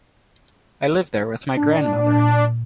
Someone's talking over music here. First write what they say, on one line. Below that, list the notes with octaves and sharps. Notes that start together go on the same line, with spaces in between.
I live there with my grandmother.
A#2 D4